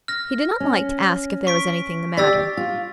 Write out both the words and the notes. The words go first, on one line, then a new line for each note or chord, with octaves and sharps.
He did not like to ask if there was anything the matter.
F6 A#6
C#4
C#6 B6 D7
G4 D5 E6 A6 B6
F4